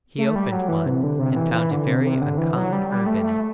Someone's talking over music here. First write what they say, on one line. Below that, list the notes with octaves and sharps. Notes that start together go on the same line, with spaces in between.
He opened one and found a very uncommon herb in it.
A3
G3
F#3
E3
C3
D3
C3
E3
E3
D3
C3
C3
D3
E3
F#3
G3
G3
A3
A3